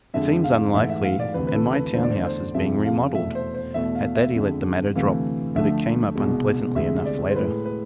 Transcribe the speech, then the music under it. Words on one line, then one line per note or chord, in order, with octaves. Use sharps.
"It seems unlikely, and my town house is being remodeled." At that he let the matter drop, but it came up unpleasantly enough, later.
F2 D3 G#3 E5
F5
G#2 E3 A3 E5
E5
F5
D5
D2 C3 E3 B4
B4
A4
B4
E2 D3 A3 C5
D5
C5
C5
F2 C3 F3 G#3 E5
F5
E2 B2 A3 E5
C5
C5
E2 B2 A3 E5
F5
E5
F2 D3 G#3
D2 C3 E3 A3 F5
D2 D3 F3 A3 E5
C2 B2 G#3
D2 C3 G#3 E5
D5
C5
A2 G#3 B4
B4